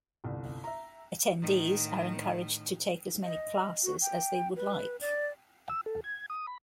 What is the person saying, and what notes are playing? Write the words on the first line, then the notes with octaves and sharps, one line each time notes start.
Attendees are encouraged to take as many classes as they would like.
G1 C2
E5 A#5
A2 D#3
D#5
F#4
G5
B4
D5
E6
A4
G#6
D#6
B5